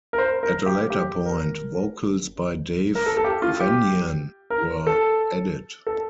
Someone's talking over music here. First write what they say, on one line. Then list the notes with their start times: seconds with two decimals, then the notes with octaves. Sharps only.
At a later point, vocals by Dave Vanian were added.
0.13 A#4
0.18 C5
0.43 A#4
0.66 G4
0.90 G4
1.26 A#4
2.95 A#4
3.06 A4
3.17 A4
3.24 G4
3.42 F4
3.60 G4
4.50 A#4
4.87 A4
5.87 A4